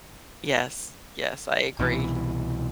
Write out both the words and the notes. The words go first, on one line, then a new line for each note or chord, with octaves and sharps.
Yes, yes, I agree,
C2 B2 D#3 E3